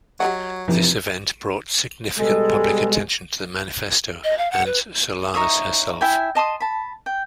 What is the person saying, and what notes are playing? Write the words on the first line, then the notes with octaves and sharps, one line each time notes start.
This event brought significant public attention to the "Manifesto" and Solanas herself.
F#3 G4 D#5 F#5
F2 C3 E3 F3
B2 G3 G#3 A4
D#5
F5
F#5
B4
D#4 C#5 E5 D#6
E4 E5 G5 G#5
D#5 A5 C6 D#6
A5 B5
G5